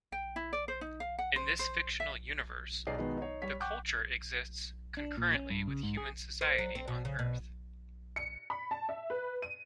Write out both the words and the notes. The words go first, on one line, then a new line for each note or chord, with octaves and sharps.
In this fictional universe, the Culture exists concurrently with human society on Earth.
G5
E4
D5
C5
D#4
F5
F#5
C5
C5
E5
B1 D#4 G#4 C#5 D5 C7
B2 D#3 G#3 B3 D#4
D#4 C#5
G3 C#5 B6
F#5 G5 C#6 D6 F#6 G6
D4
A#2
C#4
G2
C#3
G#2
G#4
C5
F#3
C4
B2
C#3
B2
C#7
B5
A5
E5
B4
D#7